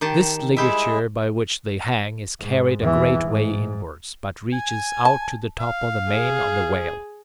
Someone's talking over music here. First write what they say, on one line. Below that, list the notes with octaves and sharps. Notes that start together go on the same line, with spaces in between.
This ligature by which they hang is carried a great way inwards, but reaches out to the top of the mane of the Whale.
D#3 G4 A5
G3 G#3 E4 G4 G#4 E5
G#2
E2 E3
G#2
G#5
A5
F5
G#4